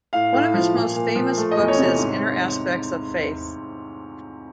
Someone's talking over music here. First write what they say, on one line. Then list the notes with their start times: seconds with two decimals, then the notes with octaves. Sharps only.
One of his most famous books is "Inner Aspects of Faith".
0.13 A2 F5
0.33 A2
0.54 F3
0.75 A#2
0.95 A#2
1.16 F3
1.37 A3
1.51 D#5
1.58 E2
1.68 C#5
1.77 C3
1.83 C#5
1.98 G#2